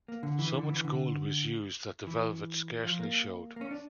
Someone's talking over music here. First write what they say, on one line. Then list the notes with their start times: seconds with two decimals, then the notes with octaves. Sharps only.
So much gold was used that the velvet scarcely showed.
0.08 A#3
0.23 D3
0.39 E3
0.54 D3
0.70 E3
0.84 D3
2.07 E3
2.84 F3
3.00 A#3
3.56 A#3
3.61 C#4
3.71 D4